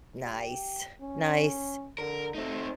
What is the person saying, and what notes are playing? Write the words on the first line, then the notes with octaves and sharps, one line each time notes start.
Nice. Nice.
G4
C#4
D3 A#4
A3 C4 D#4